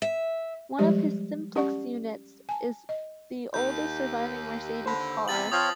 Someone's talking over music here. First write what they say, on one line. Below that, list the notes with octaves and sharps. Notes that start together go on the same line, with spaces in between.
One of his "Simplex" units is the oldest surviving "Mercedes" car.
E5
F3 G3 G#3 G4 D5
C#4 G4 D5 F#5 C#6
G#5 A5
D#5
D#2 G6
D#2 D3 C5 B5
E2 C3 A6 F#7
F3 C4 F4 C#5 D#6